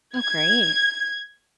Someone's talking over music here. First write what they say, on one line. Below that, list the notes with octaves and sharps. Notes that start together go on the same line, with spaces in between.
Oh, great.
G#6